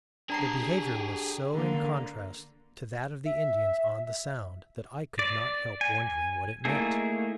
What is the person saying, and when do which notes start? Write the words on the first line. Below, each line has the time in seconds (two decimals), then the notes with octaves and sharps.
Their behavior was so in contrast to that of the Indians on the Sound that I could not help wondering what it meant.
0.30 D4 G4 G#4 A#5 C7
1.53 D3 A#3
3.25 E5
5.19 D5
5.81 G#5
6.65 A3 A#3 D#4 E4 G#4